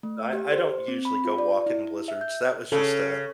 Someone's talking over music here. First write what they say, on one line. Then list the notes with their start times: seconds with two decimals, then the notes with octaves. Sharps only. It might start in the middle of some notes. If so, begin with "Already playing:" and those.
I I don't usually go walk in blizzards, that was just a
0.03 A3
0.33 G4
0.52 C5
0.88 C4
1.05 B5
1.25 F4
1.38 D5
1.66 E4
2.08 E5
2.21 G6
2.72 C#3 A4